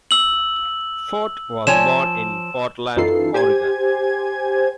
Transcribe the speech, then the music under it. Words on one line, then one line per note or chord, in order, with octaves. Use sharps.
Forte was born in Portland, Oregon.
E6 F#7
F3 C#5 G#5 E7
F#2 E3 D#4 F4 A4 C7
G4 C5 G#5 G#6